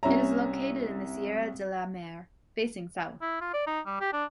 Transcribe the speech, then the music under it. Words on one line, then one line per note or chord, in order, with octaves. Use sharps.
It is located in the Sierra de la Mar, facing south.
C2 C#4 E5 A#5
E4
F4
D5
D#4
G3
G4
D4